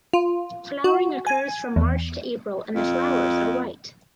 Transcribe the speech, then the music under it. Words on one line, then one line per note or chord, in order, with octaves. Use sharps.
Flowering occurs from March to April and the flowers are white.
F4
F#4
G#5
E2
F2